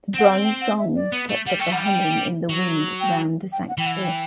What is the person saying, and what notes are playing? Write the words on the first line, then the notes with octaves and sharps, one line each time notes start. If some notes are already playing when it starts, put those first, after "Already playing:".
The bronze gongs kept up a humming in the wind round the sanctuary.
C4 F#5
G5
F#5
E5
D5
B3
A3
G3 F#5
A3 G5
G3 F#5
G5
F#3
G5
G5
F#5
E3 G5
F#5
G5